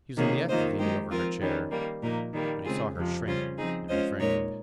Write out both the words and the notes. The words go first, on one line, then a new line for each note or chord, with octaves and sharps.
He was in the act of leaning over her chair, but he saw her shrink, and refrained.
C3 D#3 A#3 C#4 G#4
D#3 A#3 F4 C5 D#5
D#3 G#3 D#4 G4 C5
F3 C4 F4 A#4
D#3 G3 C#4
D#3 G3 A#3
A#2 F3 A#3 D#4 A#4
D#3 G3 A#3
C#3 G#3 C4 F4 G#4
F2 C3 F3
C#3 G3 C#4 F4 C5
F3 C4 D#4 G#4
G#3 C#4 F4 C5 D#5
A#2 G#3 D#4 A#4 C#5